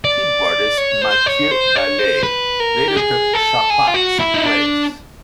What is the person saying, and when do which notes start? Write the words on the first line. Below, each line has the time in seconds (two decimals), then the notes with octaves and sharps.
Keyboardist Matthieu Ballet later took Chapat's place.
0.05 D5
0.78 C#5
1.02 C5
1.26 C#5
1.51 C5
1.76 C#5
1.99 C5
2.23 B4
2.60 A#4
2.88 G4
2.97 G#4
3.34 A4
3.70 G#4
3.87 F4
3.94 F#4
4.19 E4
4.34 D#4
4.44 D4